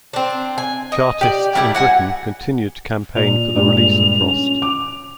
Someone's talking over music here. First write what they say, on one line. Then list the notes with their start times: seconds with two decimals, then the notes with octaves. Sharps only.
Chartists in Britain continued to campaign for the release of Frost.
0.13 C4 D4
0.58 G#5
0.92 D#5
1.21 G4 D5
1.55 G3 D4 E4 G4
1.75 F#4 F#5 G#5
3.16 A#2 F7
3.55 G2 A#2 G#3
4.21 C#4
4.62 D6